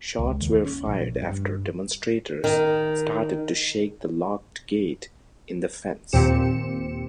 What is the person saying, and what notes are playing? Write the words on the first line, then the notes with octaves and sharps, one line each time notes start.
Shots were fired after demonstrators started to shake the locked gate in the fence.
C#2
D#2
C#4
A#1
G2
D#3
D#2 A#2 C4 G4 C#7 E7